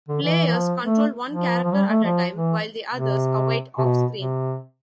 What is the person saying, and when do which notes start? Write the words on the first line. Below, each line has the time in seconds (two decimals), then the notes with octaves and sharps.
Players control one character at a time, while the others await off-screen.
0.08 D3
0.23 E3
0.48 E3
0.54 F3
0.84 A3
1.29 F3
1.64 F3
1.74 G3
1.89 A3
2.04 F3
2.34 E3
2.94 C3
3.79 C3
3.84 B2
4.15 C3